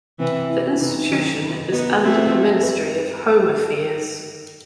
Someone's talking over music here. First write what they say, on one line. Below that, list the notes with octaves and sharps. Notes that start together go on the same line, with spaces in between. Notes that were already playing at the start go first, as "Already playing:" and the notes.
The institution is under the Ministry of Home Affairs.
C3 E3 C4
E4
F#4
C3 E3 D#4
D#3 F#3
B3 D#4 F#4
A3 C4
G4
A4
B4